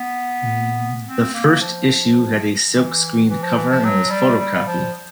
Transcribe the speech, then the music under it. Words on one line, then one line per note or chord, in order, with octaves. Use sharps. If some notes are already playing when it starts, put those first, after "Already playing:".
The first issue had a silk-screened cover and was photocopied.
Already playing: B3
C4
A#3
F3
E3
E3
F3
E3
F3
F#3
G3
G3
F3